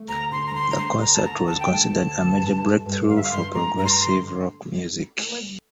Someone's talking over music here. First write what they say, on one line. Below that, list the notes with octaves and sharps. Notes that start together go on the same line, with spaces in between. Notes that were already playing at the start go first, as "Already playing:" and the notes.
The concert was considered a major breakthrough for progressive rock music.
Already playing: A3
D2 A#5
D3 C6
A#5
D2 C6
A#5
A3 C6
D2 A#5
A5
D3 A#5
D2 A5
G5
A3 A5
D2
D3
G2
A3
G2
D3 F5
E5
F5
G2 C6
A3 A#5
G2 A#5
C6
A#5
D3 C6